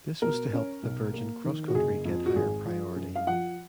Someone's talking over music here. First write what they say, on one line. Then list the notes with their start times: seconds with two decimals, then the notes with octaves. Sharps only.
This was to help the Virgin CrossCountry get higher priority.
0.22 B2 A#4
0.53 C#4
0.83 B1
1.14 A#3
1.44 D#3
1.68 F#4
1.74 F#1 G#4
2.05 F2
2.26 F#4
2.36 G#1 G#4
2.66 F3
2.96 F#2
3.15 F5
3.27 F3 F#5